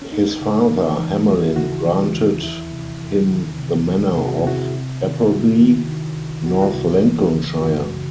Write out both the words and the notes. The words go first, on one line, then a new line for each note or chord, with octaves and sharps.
His father Hamelin granted him the manor of Appleby, North Lincolnshire.
C#4
D#2 D#4
C#3
E3
E3
D#2 F#4
E4
C#3 F#4
E3
D#2
E2 E4
C3
E2
D#3
C3
E2
C3 G#4
F#4
E4
C3 F#4
C3
D#3
E4
C2 F#4
D#3
D#3
C2
C2 F#4
E4
F#4
C2
E3
C#3
F#2 F#4
C#3